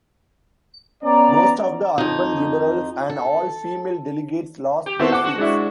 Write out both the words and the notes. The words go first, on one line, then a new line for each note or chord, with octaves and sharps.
Most of the urban liberals and all female delegates lost their seats.
B3 C#4 D5 A#5
F2 D#4
A4
G4
B3 C4 E4 F#4 A4 C5
F#5 D6
F#4
G#3 D4 E4